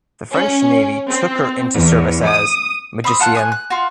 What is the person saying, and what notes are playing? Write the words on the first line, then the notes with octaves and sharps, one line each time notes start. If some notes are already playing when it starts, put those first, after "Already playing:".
The French Navy took her into service as "Magicienne".
C#4
C4
E2
D#6
C4 B5 C#6 D#6
F4 F#5 A5 F#6
G#5 D#6 F#6
F#6
F4 F#4